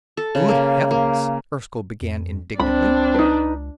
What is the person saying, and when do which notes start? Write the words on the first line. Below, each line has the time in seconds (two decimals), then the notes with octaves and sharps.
"Good heavens!" Erskyll began, indignantly.
0.17 A4
0.35 C#3
0.48 A#3
0.91 A#3
2.01 F2
2.59 C#2 C4 D4 B5
3.14 D#4 B4